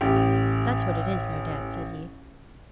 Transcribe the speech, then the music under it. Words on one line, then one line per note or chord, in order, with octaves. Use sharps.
"That's what it is, no doubt," said he.
A1 G4